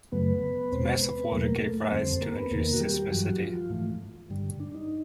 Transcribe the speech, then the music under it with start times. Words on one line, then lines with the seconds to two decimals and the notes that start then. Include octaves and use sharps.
The mass of water gave rise to induced seismicity.
0.12 F#2 C#3 F#3 A3 B3 B4
0.72 E2 B2 G#3 C4 C5
1.02 B3 B4
1.32 E2 B2 F#3 A3 A#3 A#4
1.61 A3 A4
1.91 F2 D3 G3 C4 C5
2.21 A#3 A#4
2.36 B3 B4
2.51 E2 C3 D#3 A#3 A#4
2.73 F#4
2.80 G3 G4
3.10 G2 E3 F#3 G3 F#4
3.40 F3 F4
3.70 G#2 E3 A3
4.30 G2 D3 G3
4.60 D4
4.74 D#4